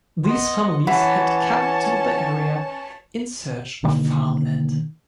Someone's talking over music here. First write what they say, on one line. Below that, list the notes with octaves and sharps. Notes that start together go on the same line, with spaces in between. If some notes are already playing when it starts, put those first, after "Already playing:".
These families had come to the area in search of farmland.
B3 D#5 C6
E3 C#4 C#5 F#5 A5
B2 D3 D#3 A#3